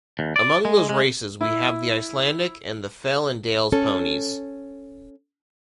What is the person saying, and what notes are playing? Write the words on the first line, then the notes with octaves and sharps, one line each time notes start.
Among those races we have the Icelandic, and the Fell and Dales ponies.
D#2
D5
G#3
G#3
E4
C#4 A4